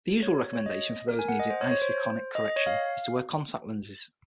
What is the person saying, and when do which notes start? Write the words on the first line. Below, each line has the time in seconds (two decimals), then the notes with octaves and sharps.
The usual recommendation for those needing iseikonic correction is to wear contact lenses.
0.23 C#5
0.53 C#5
0.66 D#5
1.08 A#4
1.19 G#5
1.28 F#5
1.39 D#5
1.50 C5
1.61 C#5
1.71 C#5
1.82 C5
2.35 D#5
2.45 D#5
2.56 C#5
2.66 F5